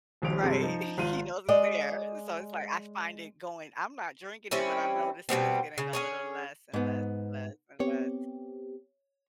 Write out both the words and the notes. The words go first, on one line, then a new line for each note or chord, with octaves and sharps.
Right. He knows it's there. So it's like, I find it going I'm not drinking it, but I noticed that it's getting a little less and less, less and less.
D#1 A#1 D#2 G4 D7 F7
G2 C3 G#3 C4
F3 D#4
G#1 F4 D#7
G#3 D5 D#5
G3 C4 C#4 E4
B2 G3 B3 C4
C#3
C#4 G#4 C#5
G#2 B3
B3 C4 G4 C#5